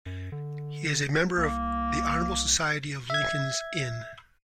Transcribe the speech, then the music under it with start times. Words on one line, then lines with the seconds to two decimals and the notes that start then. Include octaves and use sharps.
He is a member of the Honourable Society of Lincoln's Inn.
0.06 F#2
0.32 D3
1.38 C2 A#3
3.10 E5 G#6